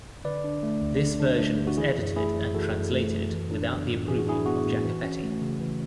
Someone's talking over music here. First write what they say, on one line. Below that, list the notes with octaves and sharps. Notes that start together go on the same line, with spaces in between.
This version was edited and translated without the approval of Jacopetti.
D3 B4 D5
D4
A3
D2
D3
D4
A3
D2
F#4
E3 E4 G#4
F#2
A3 E4 G#4
F#2
E3 F#4 A4
F#2
A3
F#2
E3
D4
B3
A2
E3 G#4
F#4
D4 E4 G#4
B3 F#4
A2
E3
C#4
A3
C#3
E3